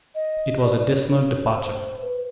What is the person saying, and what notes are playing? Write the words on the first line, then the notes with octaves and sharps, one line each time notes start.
It was a dismal departure.
D#5
D5
D5
C#5
C#5
C5
B4